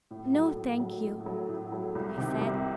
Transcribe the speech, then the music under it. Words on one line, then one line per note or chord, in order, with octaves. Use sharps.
"No, thank you," I said.
A2
F#3 A3
A2
F#3 A3
A2
F#3 A3
A2
F#3 A3
C2
C3 D#3
C2